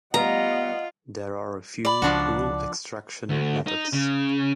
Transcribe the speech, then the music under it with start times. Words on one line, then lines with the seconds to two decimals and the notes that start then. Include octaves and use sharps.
There are a few rule-extraction methods.
0.14 G3 B3 F4 D#5 F#5 A#5
1.85 D5 B5
2.02 C#2 F3 D4 F#4
3.29 D2
3.67 D#4
3.93 C#3